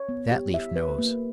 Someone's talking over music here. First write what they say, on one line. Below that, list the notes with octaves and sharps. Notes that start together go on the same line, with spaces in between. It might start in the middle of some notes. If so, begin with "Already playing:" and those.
That leaf knows.
Already playing: C#5
B3
G4
E5
B4
A#3